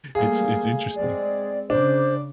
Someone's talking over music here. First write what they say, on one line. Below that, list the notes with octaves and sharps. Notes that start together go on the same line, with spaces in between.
It's it's interesting.
G3 A3 A#3 G#4 F5
G#3 C4 D5
C#3 D4 C5 D6